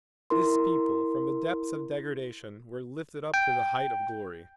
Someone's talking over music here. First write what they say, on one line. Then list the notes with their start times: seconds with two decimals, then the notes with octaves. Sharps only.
This people from the depths of degradation were lifted up to the height of glory.
0.30 E4 A#4 C6
3.34 G5